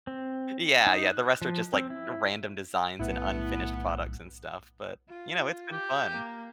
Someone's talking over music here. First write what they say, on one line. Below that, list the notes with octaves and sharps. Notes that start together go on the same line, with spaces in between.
Yeah, yeah, the rest are just, like, random designs and unfinished products and stuff, but, you know, it's been fun.
C4
D#4
F#6
F3
C4
E4
B1 A2 A3 B3 E4
F4
G4
A#3